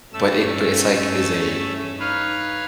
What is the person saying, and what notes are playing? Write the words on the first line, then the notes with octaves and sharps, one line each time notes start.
But it but it's, like, is a
G2 A3 C#4 E6
D#4 B4 C#5 F5